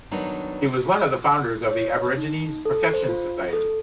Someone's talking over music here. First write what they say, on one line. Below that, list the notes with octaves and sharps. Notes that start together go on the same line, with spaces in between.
He was one of the founders of the Aborigines' Protection Society.
D#3 F#3 G3 B3 D4 D#4
C#5
D#4
A4
C5
F4
A4